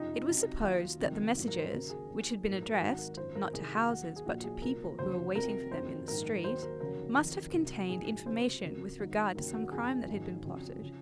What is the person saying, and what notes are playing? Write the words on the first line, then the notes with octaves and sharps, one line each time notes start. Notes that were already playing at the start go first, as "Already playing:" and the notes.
It was supposed that the messages, which had been addressed, not to houses, but to people who were waiting for them in the street, must have contained information with regard to some crime that had been plotted.
Already playing: F#1 F2 C3 F3 D#4
C#2 C3 F#3
D#2 D#3 F#3 F4
F1 F2 C3 D#3
A#1 G#2 F#3
A#4
C5
D#2 C#3 F#3 A#4
G#4
D#2 D#3 F#3
A#1 G#2 F#3 A#4
A#4
G#1 G#2 D#3 F#3 F#4
A#4
G#1 F#2 F3 C5
A#4
C2 C3 D#3 G#4
F#4
D#2 D#3 F#3 F#4
G#4
A#1 A#2 F#3 F#4
G#4
C2 A#2 F#3 A#4
F1 D#2 C#3 F#3 C5
F2 C3 F#3 A#4
F#1 F2 D#3 F#3 C5
A#1 G#2 D#3 A#4
D#2 D#3 F#3 C5
A#4
F1 D#2 C#3 F#3 A#4
F2 D#3 F#3
C2 C3 F#3
A#1 G#2 F#3 G#4
C#2 C3 F#3 C5
F2 C#3 F#3 A#4
G#1 G#2 D#3 F#3
D#2 C#3 F#3 A#4
F#4
F#1 F2 C#3 G#4
G#1 G#2 D#3 F#3
F2 C#3 F#3
C#3 F3